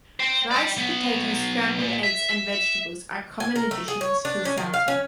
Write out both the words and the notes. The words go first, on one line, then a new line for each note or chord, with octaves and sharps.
Rice, potatoes, scrambled eggs, and vegetables are common additions to saltah.
C5 G5
D5 G5
B1 B3
A#2
E5
E5
G#5
A#4
A3
G#4
C#5
D4
C#4
D#3
F5
C#4